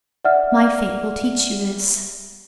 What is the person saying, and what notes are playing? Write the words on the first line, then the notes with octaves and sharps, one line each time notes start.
My fate will teach you this..
D5 E5 F#5 F6